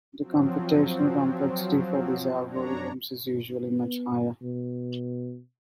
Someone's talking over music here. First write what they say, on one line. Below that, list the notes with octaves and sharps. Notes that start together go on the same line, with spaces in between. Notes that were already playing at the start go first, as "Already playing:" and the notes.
The computational complexity for these algorithms is usually much higher.
F3 F#3 C4
F#2 D4 C#5 A#5
B3
B2